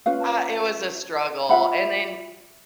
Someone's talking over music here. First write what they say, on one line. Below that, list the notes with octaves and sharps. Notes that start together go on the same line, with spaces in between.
uh, it was a struggle, and then,
C#4 F4 B4 F5
F4 E5 F#5 B5